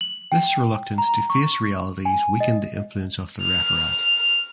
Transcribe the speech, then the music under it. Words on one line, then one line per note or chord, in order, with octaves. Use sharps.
This reluctance to face realities weakened the influence of the Referat.
F#7
G5
A#5
C#6
G#5
D#5
F6